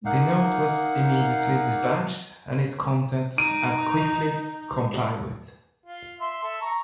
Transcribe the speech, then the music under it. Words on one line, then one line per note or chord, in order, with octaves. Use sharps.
The note was immediately dispatched, and its contents as quickly complied with.
A#3 D#4 F5 F#5
D#4 D7 D#7
F4
E5 C6
A4 E5
A#5 C#6